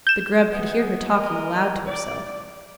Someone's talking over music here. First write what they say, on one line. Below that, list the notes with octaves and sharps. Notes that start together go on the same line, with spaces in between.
The Grub could hear her talking aloud to herself.
G6 E7
B3 G#4
A#4 D5 D#5
D5